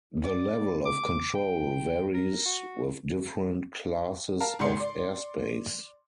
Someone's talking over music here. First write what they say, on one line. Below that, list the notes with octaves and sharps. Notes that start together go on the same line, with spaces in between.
The level of control varies with different classes of airspace.
D5
D6
G5
A#4
F#4
A#4 F5 A5
G#1 G#2 C#3 D5 C6 C#7
D5 C6